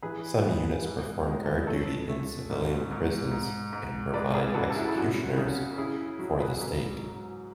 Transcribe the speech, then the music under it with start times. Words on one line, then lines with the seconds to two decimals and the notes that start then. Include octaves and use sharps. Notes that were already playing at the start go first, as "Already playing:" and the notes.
Some units perform guard duty in civilian prisons and provide executioners for the state.
0.02 E3 G#4 B4
0.44 E3
0.85 G#2
1.27 G#3
1.45 A4
1.56 B4
1.67 A3 A4 C#5
2.08 A3
2.50 G#2
2.91 G#2
3.31 G#2
3.73 G#2
4.14 G#3 B4 D5
4.34 G#4 B4
4.55 C#2 F#4 A4
4.70 A4
4.75 E4 G#4
4.89 E4
4.95 F#2 F#4
5.37 C#3
5.78 C#3 E4 G#4
6.19 F#3 F#4
6.40 G#4 B4
6.61 G#2
7.02 F#3